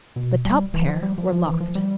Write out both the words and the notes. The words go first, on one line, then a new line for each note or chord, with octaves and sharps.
The top pair were locked.
B2
G3
E3
F3
G3
F3
F3
E3
F3
G3